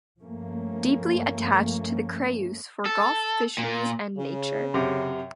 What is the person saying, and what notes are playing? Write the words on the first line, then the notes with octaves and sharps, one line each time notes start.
Deeply attached to the Creuse for Golf Fisheries and nature.
G2 F3 A3 A#3 C#4
A4
A#2
C#3
F#2 C3